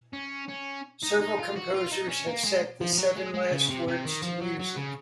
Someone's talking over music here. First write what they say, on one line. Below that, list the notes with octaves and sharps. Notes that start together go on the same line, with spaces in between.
Several composers have set the Seven Last Words to music.
C#4
C#4
D#4
D#4
F4
F#4
F4
D#4
C#4
A#3
G#3
F3
F3
F#3
G#3
G#3
C#3
C3
C3
D#3
F3
F#3
F#3
C#3